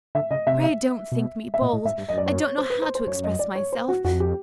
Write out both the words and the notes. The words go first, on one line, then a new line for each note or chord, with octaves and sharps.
Pray don't think me bold; I don't know how to express myself.
D3 E5
C#3 D#5
C3 E5
E5
B2
E5
A#2 D#5
A2
G#2 E5
G2
F#2 D#5
D5
C#5
C#5
C5
B4
C5
C5
F#2 C#5
D#5
D5
C#5
C5
F#4
F2 F#4
G4